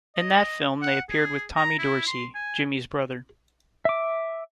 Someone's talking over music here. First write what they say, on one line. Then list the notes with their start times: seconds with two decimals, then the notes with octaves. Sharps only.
In that film, they appeared with Tommy Dorsey, Jimmy's brother.
0.16 D#5
0.82 F#5
1.10 G#4
1.56 A#5
1.79 E4
2.07 C6
2.35 G#5
3.85 E5 D6